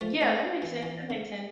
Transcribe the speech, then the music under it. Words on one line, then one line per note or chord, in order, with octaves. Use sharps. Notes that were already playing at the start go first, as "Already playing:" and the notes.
Yeah, that makes sense, that makes sense.
F3 A3
A3 C4
E3
E3
D3